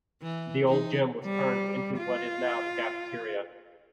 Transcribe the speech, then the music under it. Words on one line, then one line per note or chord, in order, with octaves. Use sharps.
The old gym was turned into what is now the cafeteria.
E3
D#4
G3
F4